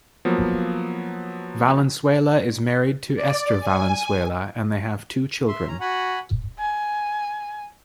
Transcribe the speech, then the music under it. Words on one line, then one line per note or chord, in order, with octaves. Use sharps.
Valenzuela is married to Esther Valenzuela and they have two children.
F3 F#3 A#3 B3
D5
G#5
E5 C6
C#4 A#5
F#4 F#5 G#5 B5
G#5